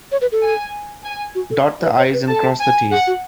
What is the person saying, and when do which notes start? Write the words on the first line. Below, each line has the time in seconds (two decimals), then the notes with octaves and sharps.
Dot the I's and cross the T's.
0.12 C#5
0.21 B4
0.32 A4
0.42 G#5
1.04 G#5
1.35 F#4
1.50 A4
1.82 B4
1.98 C#5
2.13 B4
2.28 A4 A5
2.60 G#5
2.90 G#4 F#5
3.07 F#4